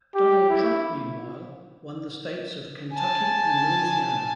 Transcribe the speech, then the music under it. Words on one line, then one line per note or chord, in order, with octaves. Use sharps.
Donald Trump meanwhile, won the states of Kentucky and Louisiana.
G4
E4
G#5 A5